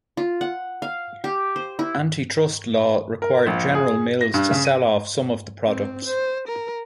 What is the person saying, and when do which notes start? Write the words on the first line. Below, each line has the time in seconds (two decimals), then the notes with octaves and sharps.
Antitrust law required General Mills to sell off some of the products.
0.17 F4
0.41 F#5
0.82 F5
1.24 G4
1.56 C5
1.79 E4
3.22 A#4
3.46 A#1
3.75 G#4
4.21 A#6
4.34 G2
4.51 C#3
4.65 D#7
5.66 C4
6.05 C5
6.48 A#4